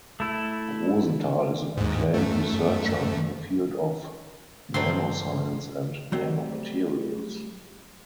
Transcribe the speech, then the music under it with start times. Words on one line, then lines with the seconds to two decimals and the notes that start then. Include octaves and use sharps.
Rosenthal is an acclaimed researcher in the field of nanoscience and nanomaterials.
0.20 A3 E4
1.77 D#2 G#2
2.14 F#2 A3
4.74 G2 D3 F3 F#3 A3 C4 C6
6.12 F#3 G3 A3 C4